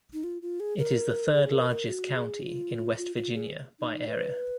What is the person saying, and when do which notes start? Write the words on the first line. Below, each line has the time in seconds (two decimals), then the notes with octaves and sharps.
It is the third-largest county in West Virginia by area.
0.13 D#4
0.24 F4
0.42 F4
0.60 G#4
0.78 A#4
1.33 G#4
1.51 A#4
1.70 A#4
1.88 F#4
2.16 G#4
2.42 F#4
2.47 F4
2.98 F4
3.16 F4
3.34 G#4
3.80 D#4
4.08 B4